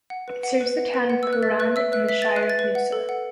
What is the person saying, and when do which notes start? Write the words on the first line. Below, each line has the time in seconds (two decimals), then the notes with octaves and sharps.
It serves the town of Cooran in the Shire of Noosa.
0.10 F#5
0.28 B4
0.43 F#5
0.61 B4
0.77 F#5
0.94 B4
1.10 F#5
1.23 B4 E6
1.33 F#6
1.43 E5 A6
1.60 B4 F#6
1.76 E5 E6
1.92 B4 F#6
2.09 E5 B6
2.22 B4 A6
2.36 F#6
2.43 E5
2.50 A6
2.59 B4
2.75 F#5
2.92 A4
3.09 F#5